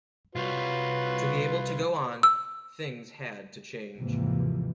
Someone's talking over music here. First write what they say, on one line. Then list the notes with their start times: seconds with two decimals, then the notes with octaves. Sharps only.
To be able to go on, things had to change.
0.36 C2 G3 F4 F#4 B4 C#5
2.23 E6
3.98 D#2 G#2 C3 E3 F3